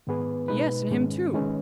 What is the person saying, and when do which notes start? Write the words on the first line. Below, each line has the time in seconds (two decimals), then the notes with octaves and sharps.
'Yes, and him too.
0.07 G#2 D#3 B3 G#4 B4
0.48 B2 G#3 D#4 B4
0.90 G#2 D#3 G#3 C#4 G#4
1.33 D#3 G#3 C#4 B4